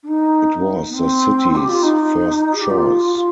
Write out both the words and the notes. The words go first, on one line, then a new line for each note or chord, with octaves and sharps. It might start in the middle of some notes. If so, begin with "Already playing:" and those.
It was the city's first choice.
D4
D#4
B3
C4
G4
F4
D#4
G#4
G4
F4
F4